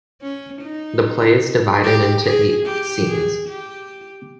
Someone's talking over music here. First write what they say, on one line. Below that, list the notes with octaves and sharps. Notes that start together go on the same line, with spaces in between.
The play is divided into eight scenes.
C#4
D#4
G4
G#4
G4
G#4
G4